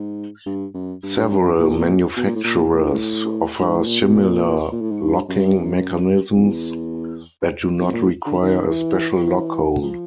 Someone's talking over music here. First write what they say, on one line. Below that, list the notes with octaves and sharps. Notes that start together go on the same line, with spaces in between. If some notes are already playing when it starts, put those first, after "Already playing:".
Several manufacturers offer similar locking mechanisms that do not require a special lock hole.
Already playing: G#2
G2
F#2
G2
G2
F#2
A#2
B2
A#2
A2
A#2
A2
G2
G#2
A2
A#2
B2
A#2
A#2
A2
G#2
G2
F#2
F2
E2
E2
F2
A#2
A2
D3
D#3
E3
E3
F3